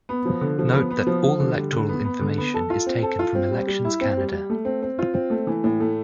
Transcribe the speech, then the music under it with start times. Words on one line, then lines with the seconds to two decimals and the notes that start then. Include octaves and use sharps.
Note that all electoral information is taken from Elections Canada.
0.09 B3
0.25 F3
0.41 D3
0.59 F3
0.74 B3
0.91 B3
1.07 F3
1.23 F3
1.40 D3
1.56 G3
1.73 D3
1.89 B3
2.05 B3
2.21 D3
2.38 B3
2.54 A4
2.70 F4
2.86 C4
3.03 A4
3.19 F4
3.35 C4
3.51 G3
3.67 G3
3.85 E4
4.01 C4
4.17 G3
4.32 G3
4.50 A3
4.65 C4
4.82 C4
4.99 F4
5.14 C4
5.30 A3
5.47 E3
5.64 A2
5.80 A3